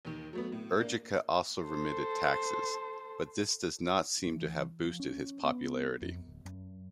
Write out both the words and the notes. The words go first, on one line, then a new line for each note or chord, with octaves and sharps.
Ergica also remitted taxes, but this does not seem to have boosted his popularity.
D#2 D#3
F#3 A3 B3
A2
A#3 D4
A4 C5
E3
F3
C#4
B3
F2
D1
F#2